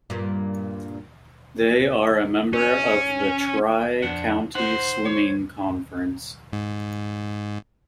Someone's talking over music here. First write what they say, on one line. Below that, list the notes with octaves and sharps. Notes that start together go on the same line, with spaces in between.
They are a member of the Tri-County Swimming Conference.
G2 A#2
C#4
F2 D4 F#5
D#4 C5 F#5
C#5
G#2